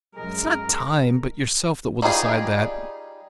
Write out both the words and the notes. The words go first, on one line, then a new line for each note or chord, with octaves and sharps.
It's not time, but yourself that will decide that.
F#2 G#3 A#4
G3 D#4 F4 G#4